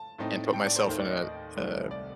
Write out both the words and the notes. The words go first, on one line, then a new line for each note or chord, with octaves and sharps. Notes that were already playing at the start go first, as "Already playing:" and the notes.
and put myself in a, uh,
Already playing: A5
A2 A3 C4 D#4
G5
D5
C5
D#2 D#3 A3 C5
D5
D#5
D#5
C2 C3 D#3 A3
D5